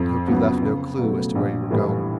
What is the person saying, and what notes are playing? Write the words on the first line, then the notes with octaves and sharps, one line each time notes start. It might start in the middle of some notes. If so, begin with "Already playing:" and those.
"I hope you left no clue as to where we were going."
Already playing: F2
C#3 F#3 B3
C#2
B2 F#3 A3
A#1
A2 E3 G3